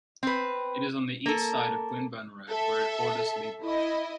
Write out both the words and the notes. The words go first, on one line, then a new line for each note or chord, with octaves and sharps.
It is on the east side of Glynburn Road, where it borders Leabrook.
C4 B4
A#3 A4
A4 E5
E4 D#5